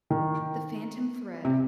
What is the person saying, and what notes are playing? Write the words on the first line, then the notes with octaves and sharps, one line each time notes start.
The Phantom Thread.
D#3
C3